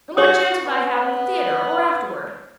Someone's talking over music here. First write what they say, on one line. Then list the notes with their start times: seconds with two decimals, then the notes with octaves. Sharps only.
And what chance would I have in the theatre or afterward?
0.17 F#4 G4 C#5 D#6
0.65 B3